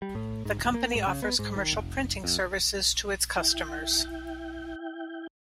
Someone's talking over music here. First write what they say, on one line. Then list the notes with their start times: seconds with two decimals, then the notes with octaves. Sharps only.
The company offers commercial printing services to its customers.
0.02 G3
0.15 A2
0.45 G#2
0.57 D1
0.74 A#3
0.95 G#2
1.07 C#3
1.22 B3
1.39 G#2
1.56 D#3
1.73 F1
2.24 F2
3.37 E4 G5